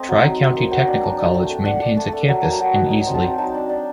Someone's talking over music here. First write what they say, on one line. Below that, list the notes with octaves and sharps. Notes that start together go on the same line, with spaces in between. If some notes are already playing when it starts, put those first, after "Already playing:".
Tri-County Technical College maintains a campus in Easley.
Already playing: A3 C4 D#5
F#3
D#4
F#3
A#3
F#3 G5
D4
D4 A5
D4
A3 G5
A3
D4 F#5
D4
A3 A5
A3
F#3
A#3 A5
G5
F#3 F#5
D#4
F#3 D#5
C4
A5
F#3 G5
D#4 A5
D4
D4